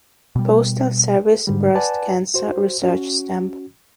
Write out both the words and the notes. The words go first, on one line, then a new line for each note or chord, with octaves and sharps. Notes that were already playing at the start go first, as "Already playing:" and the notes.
Postal Service Breast Cancer Research Stamp.
B2 G3
G#2 D3 G3
B4 D5 F#5 G#5 A5
F#4 C5
C#4 F#4